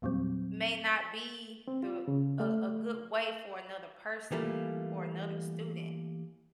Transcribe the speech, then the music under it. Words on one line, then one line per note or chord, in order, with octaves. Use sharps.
may not be the a a good way for another person or another student,
E2 A#2 F#3 G3 C4
C4
F4
C#3
A3
E3 G3 A3 A#3 F4